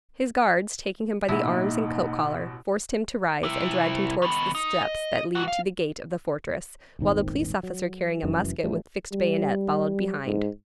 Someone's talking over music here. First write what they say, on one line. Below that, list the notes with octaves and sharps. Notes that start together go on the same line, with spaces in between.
His guards, taking him by the arms and coat-collar, forced him to rise, and dragged him towards the steps that lead to the gate of the fortress, while the police officer carrying a musket with fixed bayonet followed behind.
A1 B2 A#3 D#4 E4
C3 E4
D#3 B3
D#4
D#5
G#2 F#4
F5
D#1 G#1 D#3 C4
F#3
F1 F#2 E3
A1 F3 G3 A3
G3
G#2